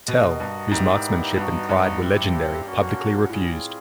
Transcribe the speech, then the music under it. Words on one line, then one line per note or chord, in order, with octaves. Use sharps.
Tell, whose marksmanship and pride were legendary, publicly refused.
B2 F#4 A#4 D#5
G2
G#2 B3 E4 G4 A#4 D5
G2 B3 D#4 F#4
G2
G3 C4 E4 G4
A#3 C#4 F#4
A2 G3 C4 F4 G#4